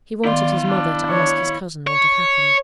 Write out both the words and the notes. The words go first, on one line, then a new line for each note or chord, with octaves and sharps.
He wanted his mother to ask his cousin what had happened.
D#3 B3 E4 D5 F5 C6
D4
C#5
C#5